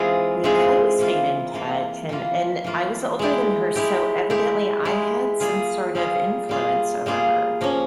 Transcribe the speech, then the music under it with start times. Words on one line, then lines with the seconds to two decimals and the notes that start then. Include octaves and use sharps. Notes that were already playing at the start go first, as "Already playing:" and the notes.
we kinda stayed in touch, and and I was, uh, older than her, so evidently, I had some sort of influence over her,
Already playing: E3 G#3 C4 F4 G#4
0.44 E3 G#3 C4 F4 G#4
0.99 E3 A#3 F4
1.54 E3 A#3 F4
2.09 E3 A#3 F4
2.64 E3 A#3 F4
3.19 G#3 E4 G4
3.76 G#3 E4 G4
4.30 G#3 E4 G4
4.85 G#3 E4 G4
5.40 G3 A#3 F4 G#4
5.95 G3 A#3 F4 G#4
6.49 G3 A#3 F4 G#4
7.06 G3 A#3 F4 G#4
7.61 F3 A#3 C#4